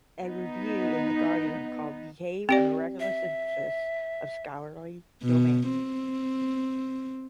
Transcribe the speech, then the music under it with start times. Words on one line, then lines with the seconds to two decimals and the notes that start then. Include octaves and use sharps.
A review in "The Guardian" called "Behave" "a miraculous synthesis of scholarly domains".
0.21 B3 D#4
2.49 C4 G4 D5
3.00 E5
5.23 B2
5.69 C4